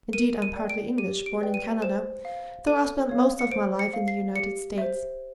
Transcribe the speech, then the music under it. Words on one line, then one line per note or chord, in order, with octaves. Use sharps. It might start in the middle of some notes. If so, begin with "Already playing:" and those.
Indeed, I'm partly English, born in Canada, though I've spent most of my life in the United States.
A#4 D#7
D#7
D5 G5
D7
G4 D#7
D7
B4 D5 G5
D#7
C5 E7
F5
A4 D#7
C#5 F5
C#7
C5 D7
C#7
F5
C7
G4 C#7
C5 E5